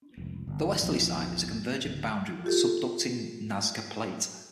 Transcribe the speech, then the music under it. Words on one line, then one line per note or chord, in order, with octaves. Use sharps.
The westerly side is a convergent boundary with the subducting Nazca Plate.
F1 C#2
G1
A#1 E2 E3 F3
D1
F4 G4 A4